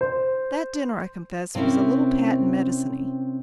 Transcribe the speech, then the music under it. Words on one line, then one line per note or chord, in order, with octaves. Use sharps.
That dinner, I confess, was a little patent mediciney.
C5
C3 C4 C#4 E4 A#4